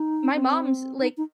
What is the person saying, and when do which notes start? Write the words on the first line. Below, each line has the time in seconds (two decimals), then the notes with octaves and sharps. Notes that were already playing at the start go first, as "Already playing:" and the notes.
my mom's, like,
Already playing: D#4
0.33 C4
1.00 D#4
1.17 D#4